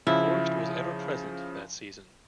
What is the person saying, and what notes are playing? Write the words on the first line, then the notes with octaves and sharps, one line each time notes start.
Forrest was ever-present that season.
C#3 F3 E4